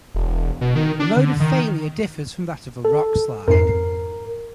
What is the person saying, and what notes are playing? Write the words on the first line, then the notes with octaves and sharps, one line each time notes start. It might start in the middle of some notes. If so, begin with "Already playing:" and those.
The mode of failure differs from that of a rockslide.
E1
B2
D#3
D4
D3
D#3
A4
F2 G#2 A#4 C7